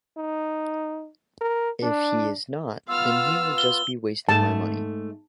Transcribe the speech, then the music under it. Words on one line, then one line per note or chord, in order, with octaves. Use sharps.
If he is not, then he will just be wasting my money.
D#4
A#4
D4
B3 F4 F5 E6 F6
G7
G#2 A3 A5